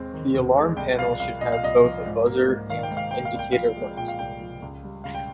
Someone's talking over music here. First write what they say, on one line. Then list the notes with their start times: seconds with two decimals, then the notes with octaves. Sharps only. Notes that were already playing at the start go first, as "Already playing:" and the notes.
The alarm panel should have both a buzzer and an indicator light.
Already playing: D#2 G#3 C4
0.14 D#3
0.34 D#2
0.56 G#3
0.77 C2 G5
0.98 F3 F5
1.20 C2 F5
1.41 A#2 D#5
1.52 F5
1.63 C2 D#5
1.84 F3
2.06 G#2
2.26 A#3
2.48 G#2
2.69 D#3 F5
2.83 G5
2.91 G#2
2.97 F5
3.11 A#3 G5
3.25 F5
3.34 C2 G5
3.53 F3 F5
3.76 G#3
3.97 A#2 G5
4.08 F5
4.19 C2 G5
4.40 F3
4.62 C#2
4.84 G3
5.04 C#2 F5
5.15 G5